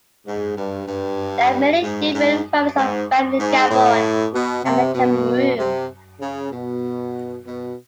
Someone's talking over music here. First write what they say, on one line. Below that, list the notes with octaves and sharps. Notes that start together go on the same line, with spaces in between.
There are many different variants of Fang in Gabon and Cameroon.
G#2
G2
G2
G#2
G#2
G#2
G#2
A2
B2
C3
B2
C3
C#3
B2
B2